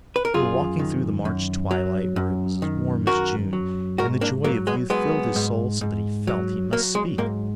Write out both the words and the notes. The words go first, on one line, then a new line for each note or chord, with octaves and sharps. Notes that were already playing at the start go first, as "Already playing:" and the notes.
They were walking through the March twilight where it was as warm as June, and the joy of youth filled his soul so that he felt he must speak.
B4
A#4
F#2 F4 G#4
D#3
F#2
F#3
F#2
D#3
F#2 F#4 A#4
F#3
G#2 F#4 A#4
A#3 D4
F#3 A#3
G#3 B3
F#3 G#3 B3
G#2
G#2
F#3
F#3 A#3
G#3
G#2 A#3